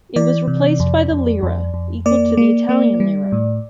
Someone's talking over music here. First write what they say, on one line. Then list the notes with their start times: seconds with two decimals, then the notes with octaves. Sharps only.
It was replaced by the lira, equal to the Italian lira.
0.16 E3 D5
0.47 C3
0.80 F2
1.11 F2
1.43 F2
1.74 F2
2.06 A#3 D5
2.37 A#3
2.69 A#3
3.00 G3
3.32 A2